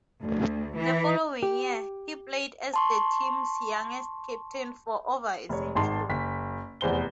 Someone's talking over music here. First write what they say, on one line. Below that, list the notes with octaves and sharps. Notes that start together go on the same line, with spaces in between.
The following year, he played as the team's youngest captain for over a century.
D2
E3
G4
A5 C6 C#6
F1 C#5
G#1 G#2 A5 C6
F#1 B6
F1 E2 C5 G7